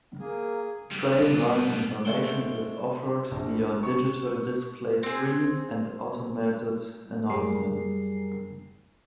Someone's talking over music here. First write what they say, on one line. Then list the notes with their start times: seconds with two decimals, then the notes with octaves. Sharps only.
Train running information is offered via digital display screens and automated announcements.
0.20 A#3 G#4
0.91 G3 B3
2.05 G#3 A3 C5 F#5 G5
3.31 A#1
3.83 C#6
5.03 C4 G#4
7.30 F#2 G3 G4 G#4 A#4 C7